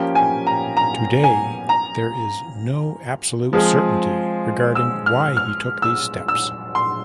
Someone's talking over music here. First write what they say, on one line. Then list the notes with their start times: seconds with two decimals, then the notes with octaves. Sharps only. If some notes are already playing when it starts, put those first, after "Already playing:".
Today, there is no absolute certainty regarding why he took these steps.
Already playing: F3 A#3 C#4 G4 G5
0.15 G#5
0.47 A#5
0.77 A#5
1.24 G#5
1.69 A#5
3.53 F3 G#3 C4 F4 G#4
4.75 E6
5.06 F6
5.37 F6
5.82 E6
6.28 E6
6.75 C6